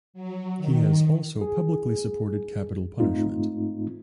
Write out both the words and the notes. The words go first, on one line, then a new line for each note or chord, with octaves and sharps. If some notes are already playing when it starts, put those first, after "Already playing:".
He has also publicly supported capital punishment.
F#3
D#3
G#4
G#2 A3 C4 D#4 F4